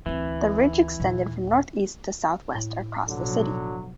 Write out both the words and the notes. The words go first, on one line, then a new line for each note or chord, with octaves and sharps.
The ridge extended from northeast to southwest across the city.
D2 E3 C4
D#2 A#2
A2
B1 B2 D3 F3 F#3